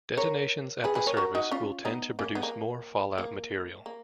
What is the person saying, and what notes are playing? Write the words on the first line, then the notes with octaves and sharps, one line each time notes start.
Detonations at the surface will tend to produce more fallout material.
A#4 C#5
G#4 B4
G#4 B4
A#4 C#5
F#4 A#4
D#4 F#4
C#4 F4
B3 D#4
A#3 C#4
B3
A#3
A#3
A#3